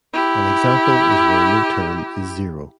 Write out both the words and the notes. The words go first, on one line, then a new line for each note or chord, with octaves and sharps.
An example is where no term is zero.
E4 G4